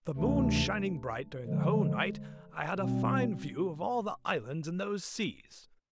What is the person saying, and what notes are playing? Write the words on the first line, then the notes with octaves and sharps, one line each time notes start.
The moon shining bright during the whole night, I had a fine view of all the islands in those seas.
D2 C3 E3 A3 D4
D3 F3 G#3
B2 G3 C4